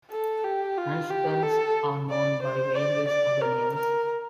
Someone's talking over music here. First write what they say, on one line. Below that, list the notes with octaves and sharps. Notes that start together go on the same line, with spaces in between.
Handstands are known by various other names.
A4
G4
F4
G4
A4
D5
C5
D5
D5
A#4
A#4